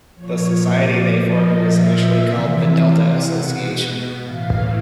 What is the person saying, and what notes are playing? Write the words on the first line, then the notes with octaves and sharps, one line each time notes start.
The society they formed was initially called "The Delta Association".
A#2 F3 C#5
D5
A#2 F3 D#5
E5
C3 E3
F5
B2 F#5
A2 E3 F5